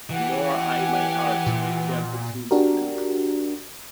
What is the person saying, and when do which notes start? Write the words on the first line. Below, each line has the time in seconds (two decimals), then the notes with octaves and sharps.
"Nor I my heart," declared the Tin Woodman.
0.10 E3 G4 F#5 G#5
1.46 A#2
2.51 D4 F#4 G4 A#4